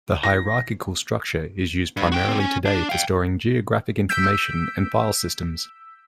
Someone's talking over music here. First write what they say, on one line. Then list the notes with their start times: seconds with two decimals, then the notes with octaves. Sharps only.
The hierarchical structure is used primarily today for storing geographic information and file systems.
0.23 A#6
1.97 G2
2.12 F#4 G5
2.28 C4 D4
2.40 C#4
2.65 D4
2.89 F5 G5
4.09 E6 G6 B6 D7